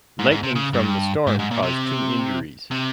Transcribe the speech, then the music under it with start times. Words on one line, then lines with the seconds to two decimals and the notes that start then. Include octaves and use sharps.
Lightning from the storm caused two injuries.
0.19 G#2
0.31 G#2
0.43 C3
0.55 C#3
0.73 G2
1.27 G#2
1.39 G#2
1.51 A#2
1.63 C3
2.71 C3